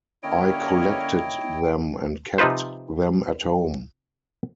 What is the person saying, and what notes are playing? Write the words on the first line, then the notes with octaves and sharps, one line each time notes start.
I collected them and kept them at home.
D3 A#3 C#4 E4 C#5 D#5 G5
C3 F3 D#4 F4 B4 C5